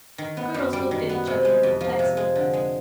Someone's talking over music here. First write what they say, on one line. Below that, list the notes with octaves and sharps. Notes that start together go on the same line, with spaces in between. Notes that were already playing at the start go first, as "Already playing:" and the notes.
The girls looked at each other in perplexity.
D#3
B3
F#2
G3
D#3
B3
C3
G#3
F2
F3
C3
G#3
D3
G#3